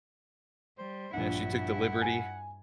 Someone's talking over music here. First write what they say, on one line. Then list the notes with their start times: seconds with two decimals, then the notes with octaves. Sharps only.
Yeah, she took the liberty.
0.78 G3 C5
1.14 A#1 G2 D4 E4 F#5
2.02 G#5